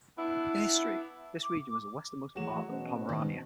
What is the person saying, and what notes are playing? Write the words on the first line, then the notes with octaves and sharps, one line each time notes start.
In history this region was the westernmost part of Pomerania.
B3 D4 E4
D6
E3 F#3 A3 F#4 G#4 E7
B2 C#4 C5
D#3